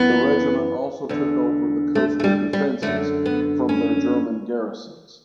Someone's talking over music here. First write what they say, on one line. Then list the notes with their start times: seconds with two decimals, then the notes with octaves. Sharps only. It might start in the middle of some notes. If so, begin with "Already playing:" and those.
The regiment also took over the coastal defences from their German garrisons.
Already playing: F#2 E3 B3
1.09 E2 D3
1.95 A3
2.20 A3
2.24 G3
2.53 G3
2.82 F#2 D3 A3
3.26 B3
3.69 C#4